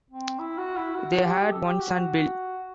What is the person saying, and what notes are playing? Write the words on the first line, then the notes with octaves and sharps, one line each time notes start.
They had one son, Bill.
C4
E4
F#4
E4
F#4
G4
A4
G4
F#4
F#4